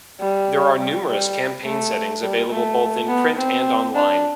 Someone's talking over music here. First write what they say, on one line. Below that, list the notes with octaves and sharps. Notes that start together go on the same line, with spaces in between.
There are numerous campaign settings available both in print and online.
G3
G3
G3
A3
G3
A3
B3
C4
D4